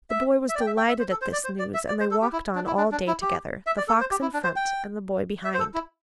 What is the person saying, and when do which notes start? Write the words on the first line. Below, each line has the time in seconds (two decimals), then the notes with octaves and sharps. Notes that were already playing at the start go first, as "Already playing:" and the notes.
The boy was delighted at this news, and they walked on all day together, the fox in front, and the boy behind.
0.10 E5
0.49 E5
0.55 D5
0.61 G5
0.67 E5
0.77 G5
0.88 E5
0.99 C5
1.11 A4
1.22 C5
1.33 D5
1.44 C5
1.59 D5
1.74 E5
1.88 D5
2.00 C5
2.11 A4
2.22 G4
2.33 E4
2.55 D4
2.67 E4
2.77 D4
2.92 D4
3.07 E4
3.22 G4
3.66 E5
3.78 D5
3.88 A4
4.00 C5
4.11 G4
4.22 E4
4.33 D4
4.44 C5
4.56 G5
5.44 E5
5.54 C5
5.59 A4
5.74 E4